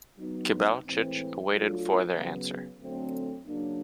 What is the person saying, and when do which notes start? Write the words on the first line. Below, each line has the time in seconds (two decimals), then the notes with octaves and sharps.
Kibalchich awaited for their answer.
0.18 F#3 B3 D#4
0.84 A2 E3 G#3 C4
1.50 F#3 A3 D4 F4
2.15 C#3 F#3 B3
2.81 D3 F#3 A3 C4
3.46 C#3 F#3 A#3 D4